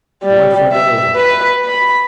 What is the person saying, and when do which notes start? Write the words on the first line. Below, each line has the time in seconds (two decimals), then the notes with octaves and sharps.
We went for another walk.
0.24 G3
0.72 E5
1.16 B4
1.65 B5